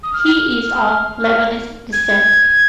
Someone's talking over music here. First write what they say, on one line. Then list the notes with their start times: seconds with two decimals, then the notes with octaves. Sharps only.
He is of Lebanese descent.
0.03 D#6
0.13 F6
1.93 G#6